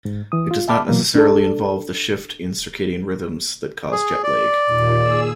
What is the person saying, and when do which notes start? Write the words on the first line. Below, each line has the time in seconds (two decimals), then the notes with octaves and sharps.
It does not necessarily involve the shift in circadian rhythms that cause jet lag.
0.05 G#2
0.32 E3 D#6
0.51 F4
0.68 E5 G5 A5 B5 D6 F6
0.89 B2 E3 F#3 A#3
1.15 D4 A4
3.92 G#4
4.24 D5
4.66 D#2 A#2
4.98 G#4 E6